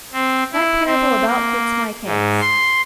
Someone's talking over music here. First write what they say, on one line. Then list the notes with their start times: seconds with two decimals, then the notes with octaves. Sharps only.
That parable about fits my case.
0.12 C4
0.52 E4
0.86 C4
1.25 A#3
2.05 G#2
2.41 C6